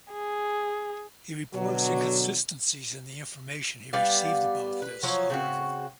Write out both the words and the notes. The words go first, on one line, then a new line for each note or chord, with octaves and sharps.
He reports inconsistencies in the information he received about this, however.
G#4
B2 D3 F#3
G3 B3 D5 F5
B4
F3 F#3 C#5
C#3 C4 F#4